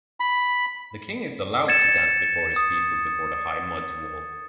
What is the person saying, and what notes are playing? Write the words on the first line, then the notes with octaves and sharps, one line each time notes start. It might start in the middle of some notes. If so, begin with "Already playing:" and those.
The king is allowed to dance before his people before the high mud wall.
B5
G#6 A6 C#7 E7
D#6